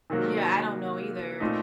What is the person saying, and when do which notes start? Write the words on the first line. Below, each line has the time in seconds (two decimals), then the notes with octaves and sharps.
Yeah, I don't know either.
0.10 C3 D#3 F#3 A#3
1.40 A#2 A3 C4 D#4